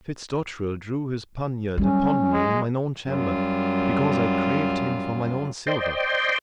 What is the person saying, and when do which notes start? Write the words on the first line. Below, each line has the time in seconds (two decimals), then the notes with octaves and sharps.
Fitzdotterel drew his poniard upon me in mine own chamber, because I craved him for mine own silver.
1.78 F#3 G3 C#4
2.33 G#3
3.08 F#2 G3 F4
5.67 C5 D5 D#5 G5 C6